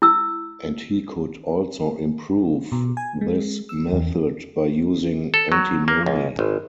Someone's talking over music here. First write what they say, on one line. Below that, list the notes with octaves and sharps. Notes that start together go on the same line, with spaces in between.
And he could also improve this method by using antimony.
E4 E6
B2
G#5
G#3
E6
E2
A4
F#3
A#3
C#2
G#1